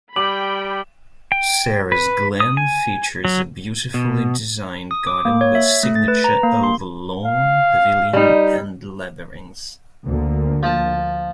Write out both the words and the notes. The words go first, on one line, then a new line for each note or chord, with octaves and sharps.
Sarah's Glen features a beautifully designed garden with signature oval lawn, pavilion and labyrinth.
G3 G5 B5 D6 F#7
G5
B4
D#6
G#5
F#3
B2
D#6
D6
A#3
C#5
E5
A3
A6
B4
A#5
A#3
C6
F5
G3 D#4
D2 D3 A#3
F3 A5